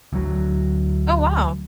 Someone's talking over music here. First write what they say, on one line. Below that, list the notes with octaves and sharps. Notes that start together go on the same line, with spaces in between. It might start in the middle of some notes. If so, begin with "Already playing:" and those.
Oh, wow.
D2 F#3